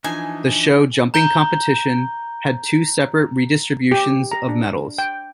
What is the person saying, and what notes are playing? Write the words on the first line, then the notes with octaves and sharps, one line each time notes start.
The show jumping competition had two separate redistributions of medals.
E3 F3 D4 D#4 G#5
A#5 G6 G7
G4
A#5
D4
G5